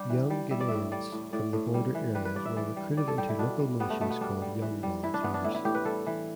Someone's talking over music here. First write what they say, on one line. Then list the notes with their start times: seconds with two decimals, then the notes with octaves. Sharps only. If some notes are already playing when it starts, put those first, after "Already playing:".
Young Guineans from the border areas were recruited into local militias called Young Volunteers.
Already playing: G3 D4 G4
0.10 E3
0.30 G3
0.51 G3 E5
0.60 D5
0.68 A2 E5
0.92 G3 D5
1.12 A2
1.33 A2 D5
1.53 A2
1.74 G3
1.95 E3
2.15 G3 B4
2.25 B4
2.35 G2 D5
2.46 E5
2.57 E3 D5
2.76 G3
2.97 G3 D5
3.08 A4
3.18 G3 G4
3.29 E4
3.39 B2 D4
3.59 G3
3.80 G3 B3
3.90 A3
4.01 B2 A3
4.10 B3
4.21 G3 D4
4.42 G3
4.62 E3
4.83 G3
5.03 E3 E4
5.14 D4
5.24 E3 B3
5.34 D4
5.44 A2 E4
5.55 E4
5.65 A2 G4
5.75 B4
5.85 G3 A4
6.06 E3